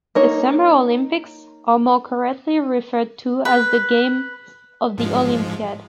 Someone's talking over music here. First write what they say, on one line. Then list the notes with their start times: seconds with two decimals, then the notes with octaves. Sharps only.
The Summer Olympics are more correctly referred to as the Games of the Olympiad.
0.15 A#3 D#4 C#5
3.45 B4
4.98 G#2 F3 G#3